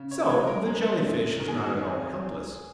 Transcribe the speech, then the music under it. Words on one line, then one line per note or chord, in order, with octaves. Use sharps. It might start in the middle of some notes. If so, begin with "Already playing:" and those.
So the Jelly-fish is not at all helpless.
Already playing: C#3
C#5
G#3 C#5
A#4
G#3
F#2
D#3 A#4
G#4
F#4
G#4
C4